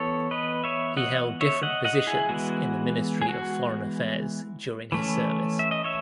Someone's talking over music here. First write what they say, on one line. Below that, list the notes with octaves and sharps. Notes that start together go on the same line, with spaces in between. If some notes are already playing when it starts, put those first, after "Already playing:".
He held different positions in the Ministry of Foreign Affairs during his service.
Already playing: E3 B3 A4 C#5
B4 D#5
C#5 E5
D#5 F#5
C#5 E5
D#5 F#5
D#5 F#5
E4 G#4
E3 G#3 B3 F#4
G#4
F#4
E3 A3 C#4
E5
D#5
C#5 E5